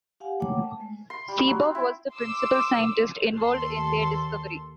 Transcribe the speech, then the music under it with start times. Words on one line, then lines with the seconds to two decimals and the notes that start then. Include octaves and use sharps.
Seaborg was the principal scientist involved in their discovery.
0.20 G4 F5 F#5 G#5
0.40 A3 A#3 C#5 F#5 G5 D6
0.60 A5
0.80 G#3 A3
1.10 C6
1.28 G3
1.48 F#3
1.60 C4
1.75 E4
2.13 C6 D6 E6
3.34 D#2 A4 C6